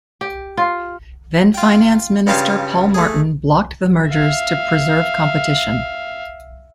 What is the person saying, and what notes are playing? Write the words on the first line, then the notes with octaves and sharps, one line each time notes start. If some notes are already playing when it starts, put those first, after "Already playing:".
Then Finance Minister Paul Martin blocked the mergers to preserve competition.
G4
F4
F4 G5
G2 C#3 G3 F4 F5 A5
A3 G#4
E5 F5